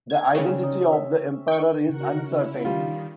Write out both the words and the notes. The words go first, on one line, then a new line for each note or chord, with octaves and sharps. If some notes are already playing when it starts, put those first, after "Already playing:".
The identity of the Emperor is uncertain.
G#6
C#3 C4 C#4 D5
D#4
E5
G5 C#6
C#3 F#4 A#4 F#5
C#4 E4
D#3 G3 F4